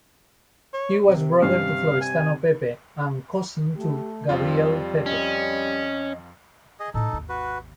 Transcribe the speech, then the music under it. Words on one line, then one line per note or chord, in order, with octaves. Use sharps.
He was brother to Florestano Pepe and cousin to Gabriele Pepe.
C#5
C3
G2 C#4 F5
G#5
A3 G4
F2 G3 C4 F4
C#4 D#5
G#4 D#5
A2 A3 D#4 A4
G#1 D#2
F#4 B4